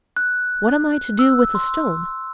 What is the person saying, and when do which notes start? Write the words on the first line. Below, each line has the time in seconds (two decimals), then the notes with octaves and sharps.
"What am I to do with a stone?"
0.17 F#6
1.19 E6
1.55 C6